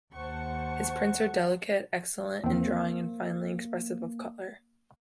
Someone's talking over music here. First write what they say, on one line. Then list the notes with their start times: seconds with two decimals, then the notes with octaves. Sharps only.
His prints are delicate, excellent in drawing and finely expressive of colour.
0.14 D#2 C5 F#5 A5 C#6
2.44 E2 A#3 C4